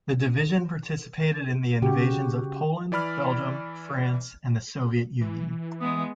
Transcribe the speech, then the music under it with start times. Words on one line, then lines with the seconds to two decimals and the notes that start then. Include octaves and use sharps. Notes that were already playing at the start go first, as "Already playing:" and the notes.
The division participated in the Invasions of Poland, Belgium, France and the Soviet Union.
1.82 C#3 F#4 G4
2.92 E3 D5 B5 F6
5.21 E3
5.81 G#3 B3 D#6